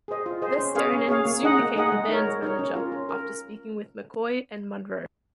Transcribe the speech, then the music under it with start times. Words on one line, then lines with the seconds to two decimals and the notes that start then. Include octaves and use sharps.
Vesterinen soon became the band's manager after speaking with McCoy and Monroe.
0.08 G#4 C5 D#5
0.26 F4
0.42 G#4 C5 D#5
0.59 C#4
0.75 G#4 C#5 F5
0.93 C#4
1.08 G#4 C#5 F5
1.25 A#3
1.43 D#4 G#4 D#5 F#5
1.59 A#3
1.76 D#4 G#4 D#5 F#5
1.92 G#3
2.08 D#4 A#4 C#5
2.26 G#3
2.42 D#4 A#4 C#5
2.59 C#4
2.75 F4 A#4
2.92 C#4
3.09 A#4